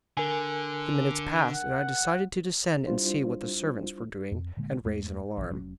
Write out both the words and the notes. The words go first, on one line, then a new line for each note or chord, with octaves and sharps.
The minutes passed, and I decided to descend and see what the servants were doing, and raise an alarm.
D3 A#4 G#5
F#5
G3 D4 E4 F4 C5
F2
A#2 D3 G#3 A#3
E2 G#3 A3
A#1 E3
F1 F#3 C#4